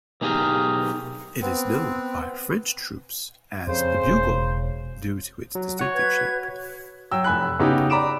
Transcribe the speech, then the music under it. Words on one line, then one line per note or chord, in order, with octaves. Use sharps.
It is known by French troops as "The Bugle" due to its distinctive shape.
B1 D#4 G4 G#4 A#4
B3 C4
F2 C#3 C5
E1
F#3
F#4 C#5 F#5
B4 G#6
F#3 G5 E6
F1 G#5 B5 F#6
C#3 B3 D#4 F#4 G4
D5 A#5 B5 D6 D7 E7